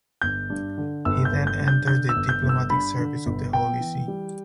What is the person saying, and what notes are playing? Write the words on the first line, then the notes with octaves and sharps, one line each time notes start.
He then entered the diplomatic service of the Holy See.
G1 G6
G2
D3
G1 E6
G6
G1
G6
G2
G6
D3 G6
E6
G1
G6
G1
E6
G2 B5
D3
G1
B3 G5
E3
G3